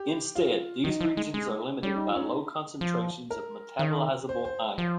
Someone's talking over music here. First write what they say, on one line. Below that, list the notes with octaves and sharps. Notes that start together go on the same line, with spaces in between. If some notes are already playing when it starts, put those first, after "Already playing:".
Instead, these regions are limited by low concentrations of metabolizable iron.
Already playing: G4
F4
D#3 D#4
F3
G#3
G#3
G3 C#4
D#4
F4
C#4
D#4
F3
A#4
D#3
C5
C5
F3